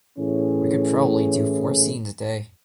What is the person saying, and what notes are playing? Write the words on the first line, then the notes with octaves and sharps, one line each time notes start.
We could probably do four scenes a day.
A2 E3 C#4 G#4